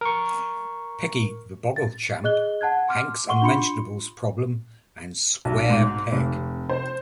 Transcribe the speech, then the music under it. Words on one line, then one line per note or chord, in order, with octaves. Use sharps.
"Peggy the Boggle Champ", "Hank's Unmentionables Problem", and "Square Peg".
A#4 C#6
A6
G#4 D#5 F#6 G7
F#5 A5 F#6 G#6
C6 D6 F6
F#5 C6 C#6 G7
D4 F4 B5 C6 C#7
B1
G#2
F1
C5